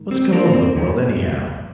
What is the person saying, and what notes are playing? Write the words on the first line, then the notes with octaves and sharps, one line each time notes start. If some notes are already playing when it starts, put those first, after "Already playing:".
What's come over the world anyhow?
Already playing: G#2 D#3
C4
A#3 D4
A#3
C4
A#2 F3